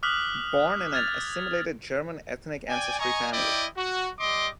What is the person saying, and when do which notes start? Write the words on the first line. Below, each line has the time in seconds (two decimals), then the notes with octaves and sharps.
Born in an assimilated German ethnic ancestry family.
0.03 D6 D#6 F6 F#6 B6 F#7
0.92 F6 G#6 A6 F7
2.69 D5 G5 G#5
3.00 D#5 G#5 A#5 C#6
3.32 E4 D5 D#5 G5
3.77 F#4
4.19 G3 D#5 C6 D6